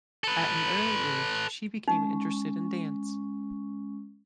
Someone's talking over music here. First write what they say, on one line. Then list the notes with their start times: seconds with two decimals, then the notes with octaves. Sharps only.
At an early age she became interested in dance.
0.24 A4 B4
1.88 G#3 C#4 D#4 C#6